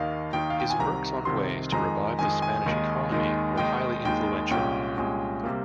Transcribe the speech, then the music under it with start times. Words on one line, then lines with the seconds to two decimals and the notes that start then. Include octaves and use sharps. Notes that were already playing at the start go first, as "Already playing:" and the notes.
His works on ways to revive the Spanish economy were highly influential.
Already playing: D#2 D#3 A#3 D#4 F5
0.33 D#2 D#3 A#3 D#4 G5
0.50 F5
0.60 G5
0.70 G#5
0.79 C2 C3 D#3 A#5
1.25 C2 C3 D#3 C6
1.72 F2 D#3 G#3 A#5
2.19 F2 D#3 G#3 G#5
2.42 G#5
2.66 D#2 D#3 G#3 D#4
3.12 D#2 D#3 G#3 D#4
3.58 D#2 D#3 G#3 D#4 G5
4.05 D#2 D#3 G#3 D#4 G5
4.51 C2 A#2 G#3 C#4 G5
4.97 C2 A#2 G#3 C#4
5.43 C3 G3 A#3